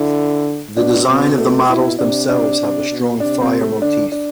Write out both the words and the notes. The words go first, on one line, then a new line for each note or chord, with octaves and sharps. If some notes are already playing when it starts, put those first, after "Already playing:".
The design of the models themselves have a strong fire motif.
Already playing: D3 E4
B2 D4
B2 C4
B2 A3
B2 E4
C3 D4
C3 D4
C3
B2
C3 D4
C4
A3
D3 D4
D4